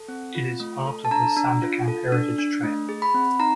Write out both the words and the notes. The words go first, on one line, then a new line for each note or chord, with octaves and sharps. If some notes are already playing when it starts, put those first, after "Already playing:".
It is part of the Sandakan Heritage Trail.
Already playing: A4
C4
F4
A3
A4
A5
D4 A#5
D4
F4
A4
D4
D4
A3
G#4
B5
C4
D#4 A#5